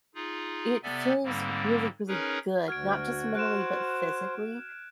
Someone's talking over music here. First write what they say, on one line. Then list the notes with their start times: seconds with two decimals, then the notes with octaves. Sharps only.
It feels really, really good, not just mentally, but physically.
0.15 D#4 F4 G#4
0.83 C3 B3 A4 D5 E5 G#5
1.24 G#2 D3 G3 A#3 C4
2.08 C#4 D#4 G#4 A#4 B4 C#5
2.68 D2 F#4 F6 G#6 D7
3.35 C5 F#6 D7 E7